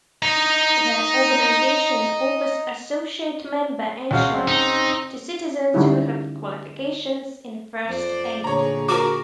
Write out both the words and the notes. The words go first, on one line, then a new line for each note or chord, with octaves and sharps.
The organisation offers associate member insurance to citizens who have qualifications in First Aid.
D#5 A#5
C#2 C#4 F#4 F5
C4
D#4
D3 G3 C#4 D#4 E4 F#4
F2 C5 D5
A#2 D3 G#4 C#5 A#5
F#4 A#4 D6